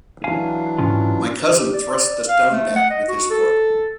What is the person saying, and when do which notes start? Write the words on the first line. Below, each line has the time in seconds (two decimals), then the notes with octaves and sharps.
My cousin thrust the stone back with his foot.
0.24 E3 F#3 D4 F5 G#5
0.78 G#2 C#4 F4
1.52 G4
1.73 D5
2.29 F5
2.52 A3
2.76 F#5
2.90 D#5
3.08 F#4
3.30 A4